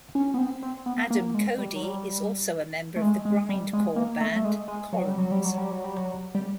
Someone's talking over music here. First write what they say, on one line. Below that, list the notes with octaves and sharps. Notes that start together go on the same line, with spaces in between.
Adam Cody is also a member of the grindcore band Columns.
C#4
B3
C4
C4
B3
A#3
G#3
G3
F#3
G3
A3
G#3
G#3
G3
G#3
A#3
A3
A3
G#3
G#3
F#3
G3
F#3
G3
F#3
G3
F#3
G3
F#3
G3